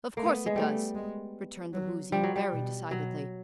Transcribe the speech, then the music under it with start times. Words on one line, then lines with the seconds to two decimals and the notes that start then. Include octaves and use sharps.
"Of course it does," returned the Woozy, very decidedly.
0.17 A3 A#3
0.26 B3
0.46 G#3
0.55 G3 A3
0.95 G#3
1.73 F#3
2.12 F3 G3
2.23 F#3
2.36 G3
2.52 B2
2.91 B2 F#3